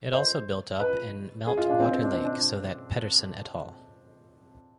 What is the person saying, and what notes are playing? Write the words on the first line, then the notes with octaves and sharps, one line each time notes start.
It also built up in an melt water lake so that Pedersen etal.
C5
B4
G#4
F4
D4
C4
C4
D4
C4
D4